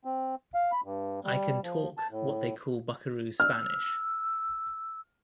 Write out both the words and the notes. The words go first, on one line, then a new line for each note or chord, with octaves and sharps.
I can talk what they call buckaroo Spanish.
C4
F5
B5
G2
G3
F3
A5
A2
E6 F6